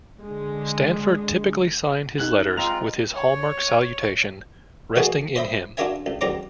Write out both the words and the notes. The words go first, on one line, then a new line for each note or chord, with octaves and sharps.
Stanford typically signed his letters with his hallmark salutation, Resting in Him.
D3 G#3
D#4 F#6 F#7
G#3 C4 F4 A#5 A#6 F7
C#5
A#2 E3 A3 B3 F#4 G#4
C5 D#5 E5 B5
D4 F4 F#4 A#4 E5 G#5
C#2
A1 D#2 G#2 F#3 A#5 D6